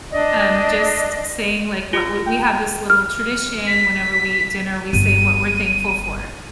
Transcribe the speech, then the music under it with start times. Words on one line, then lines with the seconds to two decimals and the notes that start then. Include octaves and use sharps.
um, just saying, like, what what we have this little tradition whenever we eat dinner, we say what we're thankful for.
0.12 D4 D5 D#5
1.93 F4 G4
2.26 G5
2.90 F6
3.67 B6
4.93 G1 D#7